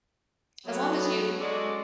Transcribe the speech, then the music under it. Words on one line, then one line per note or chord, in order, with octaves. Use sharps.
as long as you
F#3 A3 B3
G#3 C#4 F#4 A4 D5